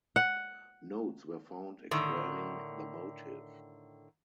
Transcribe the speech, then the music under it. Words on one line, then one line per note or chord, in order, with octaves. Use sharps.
Notes were found explaining the motive.
F#5
A2 D3 D#3